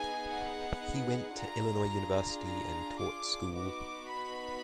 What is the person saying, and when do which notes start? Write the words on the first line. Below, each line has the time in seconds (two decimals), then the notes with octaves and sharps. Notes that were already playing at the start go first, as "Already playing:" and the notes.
He went to Illinois University and taught school.
Already playing: B3 D#4 G#4 G#5
0.29 F#5
1.38 D4 F4 G#4 A#5
2.46 A#5
3.01 D6
3.55 B3 D#4 F#4 D6
4.10 B5